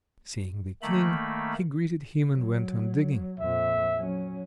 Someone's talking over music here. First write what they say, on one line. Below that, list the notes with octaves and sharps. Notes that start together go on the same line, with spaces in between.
Seeing the King, he greeted him and went on digging.
D#3 A3 A#3 B5
F#3
F2 A#2 E5
F#3 C#4